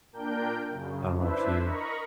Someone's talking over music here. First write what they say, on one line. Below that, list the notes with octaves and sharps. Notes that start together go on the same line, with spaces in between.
I don't know if you
A#2 D4 A#4 G5 G6
F#2 C#3
D4 E4 B4 C5 E5
A#4 D#5 A#5 B5 C#6